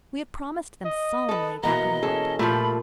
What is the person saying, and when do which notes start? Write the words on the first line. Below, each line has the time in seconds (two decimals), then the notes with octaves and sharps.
We have promised them solemnly that we would.
0.85 D#5
1.29 A4 B4
1.63 B2 E3 A#3 B3 D#5 A#5
2.03 C#4 G#4 A4
2.39 A#2 F3 A3 G4 B5